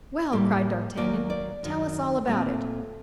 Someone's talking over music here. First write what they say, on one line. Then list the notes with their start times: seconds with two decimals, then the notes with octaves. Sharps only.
"Well!" cried d'Artagnan, "tell us all about it."
0.32 A2 G3 A#3
0.97 D#2 D#3 F#3 A#3 D5
1.30 D5
1.63 F#2 D#3 F#3
2.27 A#2 A3 C4